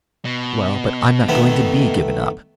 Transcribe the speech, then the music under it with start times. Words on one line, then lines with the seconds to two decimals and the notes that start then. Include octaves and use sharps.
"Well, but I'm not going to be given up."
0.25 B2
1.28 D#3 A3 B3